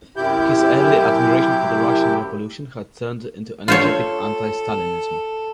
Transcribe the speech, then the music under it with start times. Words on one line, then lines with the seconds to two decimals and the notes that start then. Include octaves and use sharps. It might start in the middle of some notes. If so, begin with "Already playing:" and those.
His early admiration for the Russian Revolution had turned into energetic anti-stalinism.
0.16 F#2 C3 E4 G4 G6
3.68 F4 A4 C5 C#5